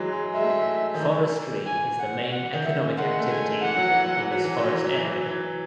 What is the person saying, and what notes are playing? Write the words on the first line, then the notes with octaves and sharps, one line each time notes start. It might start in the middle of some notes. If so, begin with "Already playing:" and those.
Forestry is the main economic activity in this forest area.
Already playing: E3 F#3 G#3
G#3
G#3 E5
A3
G#3
D#3
E3
G#5
F#5
F#5
D#3
D#3 E5
C#3
G#3 F#5
A3
G#5
G#3
E3 F#5
F#3
E3
F#3
E3
F#3
E3
F#3
E3
F#3
E3
F#3
E3